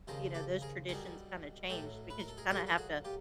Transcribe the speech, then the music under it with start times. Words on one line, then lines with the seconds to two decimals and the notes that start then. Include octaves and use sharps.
you know, those traditions kinda changed because you kinda have to,
0.07 D#2 C#3 F3 G#4 A#4
0.34 G4 A4
0.62 G#4 A#4
0.89 B1 B2 G3 G#4 A#4
1.69 B1 A2 F#3 G4 A4
2.10 B4
2.19 A#4
2.28 A4
2.37 G#4 A#4
2.50 B1 A#2 F#3 G4 A4
2.67 A4
2.78 F#4 G#4
3.05 F4 G4